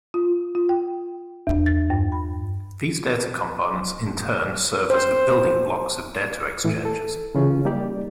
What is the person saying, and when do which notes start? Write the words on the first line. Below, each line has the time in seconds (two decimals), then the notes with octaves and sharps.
These data components in turn serve as the "building blocks" of data exchanges.
0.14 F4
0.55 F4
0.69 G5
1.47 E2
1.66 A6
1.90 G2
2.12 B5
4.90 C5
6.64 A2 E3
6.85 A4
7.35 C#3 E3 C#4 F4 G#4
7.65 G3 A#3 D#4 G4 D5